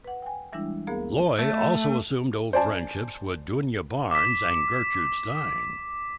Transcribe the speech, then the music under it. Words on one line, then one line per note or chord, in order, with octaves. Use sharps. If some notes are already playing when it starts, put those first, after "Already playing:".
Loy also resumed old friendships with Djuna Barnes and Gertrude Stein.
B4 F#5
G5 G#5
E3 G3 G#3 D4 E4
D2 A#3 B3 G#4 A#4 F5
A3
C5 D5 G#5 A5
D6 B6